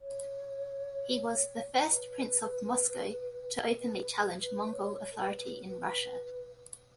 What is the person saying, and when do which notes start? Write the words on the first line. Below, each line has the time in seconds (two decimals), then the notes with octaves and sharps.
He was the first prince of Moscow to openly challenge Mongol authority in Russia.
0.01 C#5
1.90 B4
3.78 B4
4.41 B4
4.72 C#5
5.13 A#4
5.19 B4
5.67 B4